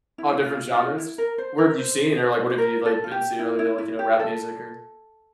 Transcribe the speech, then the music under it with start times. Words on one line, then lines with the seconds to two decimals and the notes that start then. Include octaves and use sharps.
All different genres? Where have you seen or like, what have you, like, been to other than, like, you know, rap music, or
0.18 E4
0.45 F4
0.72 F4
0.98 E4
1.18 A#4
1.38 C5
1.58 A#4
1.78 C5
2.19 C5
2.50 C5
2.58 A#4
2.85 A4
3.04 F4
3.12 G4
3.39 E4
3.59 E4
3.78 E4
3.99 G4
4.19 A4